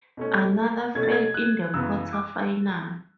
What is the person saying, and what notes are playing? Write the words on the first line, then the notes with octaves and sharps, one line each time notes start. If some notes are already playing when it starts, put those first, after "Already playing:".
Another fell in the quarterfinal.
B2 A3 C#4
B2 A3 C#4 G#6
A6
G#6
F#6
F#2 C#3 E3 B3 E6
D6